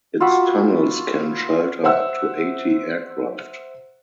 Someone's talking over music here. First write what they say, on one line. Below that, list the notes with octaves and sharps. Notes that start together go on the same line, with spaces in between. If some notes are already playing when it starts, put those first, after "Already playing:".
Its tunnels can shelter up to eighty aircraft.
F4 F#4 E5 B5
C5 E5 F#5 E6